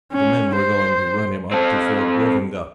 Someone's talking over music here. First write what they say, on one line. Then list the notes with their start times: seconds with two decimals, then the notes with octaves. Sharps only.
The men were going to run him up to Fort Govindghar.
0.13 C#4
0.56 C5
1.51 C4 A4